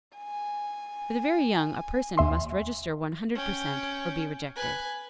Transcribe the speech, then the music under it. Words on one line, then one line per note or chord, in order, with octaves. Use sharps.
For the very young a person must register one hundred percent or be rejected.
G#5
D#2 E5 C6
C#4 G5
B4 G#5